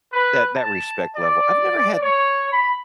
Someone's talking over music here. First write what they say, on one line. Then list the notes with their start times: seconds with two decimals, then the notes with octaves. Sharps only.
That that respect level, I've never had
0.13 B4
0.55 A5
1.15 D5
2.00 C#5
2.50 B5